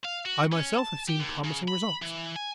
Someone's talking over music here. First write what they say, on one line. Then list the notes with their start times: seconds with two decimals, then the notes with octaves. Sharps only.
I myself have seen promising results.
0.05 F5
0.26 F#4
0.52 C#4
0.78 A5
1.08 G4
1.20 D#2
1.44 C#3
1.68 B5
2.02 E3
2.36 G#5